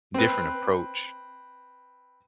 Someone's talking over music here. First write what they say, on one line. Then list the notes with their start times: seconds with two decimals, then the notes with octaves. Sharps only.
different approach
0.14 C4 B4